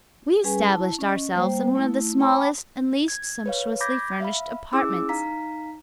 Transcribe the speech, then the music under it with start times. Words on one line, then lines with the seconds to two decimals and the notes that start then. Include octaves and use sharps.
We established ourselves in one of the smallest and least sumptuously furnished apartments.
0.44 G3 C#4 G#4 B4 G#5
0.64 E4 A5
0.99 C#4 D#5
1.33 G3 A#3 C5 G5
1.75 A3 E4
2.19 C#5 G5 A5 B5 D6
3.08 G#6
3.46 B4 C#5 F5
3.81 B5 D6 G6 G#6 A#6 B6
4.20 E5 F5 B5
4.73 C#4 E4 G#4 D6 E6
5.09 D#4 F5 A#5 B6